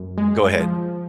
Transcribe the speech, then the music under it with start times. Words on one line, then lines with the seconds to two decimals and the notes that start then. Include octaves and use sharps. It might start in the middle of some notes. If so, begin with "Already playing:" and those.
Go ahead.
Already playing: F#2
0.18 G#3
0.60 F3